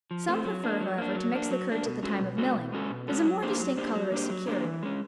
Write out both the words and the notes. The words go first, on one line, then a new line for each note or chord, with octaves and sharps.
Some prefer, however, to mix the curds at the time of milling, as a more distinct color is secured.
F3
A3 C4
F#3
A#3 D4
F#3
A#3 D4
F#3
A#3 D4
F#3
A#3 D4
B2
G#3 C#4 F#4 A4
B2
G#3 C#4 F#4 A4
B2
G#3 C#4 F#4 A4
B2
G#3 C#4 F#4 A4
F#3
A#3 D4 G4 C5
F#3
A#3 D4 G4 C5
F#3
A#3 D4 G4 C5
F#3
A#3 D4 G4 C5
E3
G#3 C#4